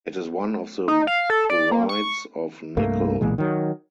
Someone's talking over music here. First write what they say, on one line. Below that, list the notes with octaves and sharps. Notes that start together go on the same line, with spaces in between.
It is one of the borides of nickel.
D#4
F5
A4
D5
A#3
C#6
C2 G2 A3 A#3
B1 A#2 E3 G#3
D#3 F#3